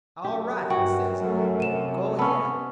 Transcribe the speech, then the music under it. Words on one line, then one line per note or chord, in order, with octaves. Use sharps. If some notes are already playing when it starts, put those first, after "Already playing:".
"All right," says I, "go ahead."
F#2 G4
G2 F#4 G5
F#3 A3
C3 D#7 E7
B3 C#4 A5 B5 E6